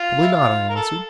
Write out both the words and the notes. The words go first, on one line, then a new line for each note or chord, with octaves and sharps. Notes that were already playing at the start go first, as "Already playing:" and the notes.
"Probably not," I answered.
Already playing: F4
E4
F4
A#4
A4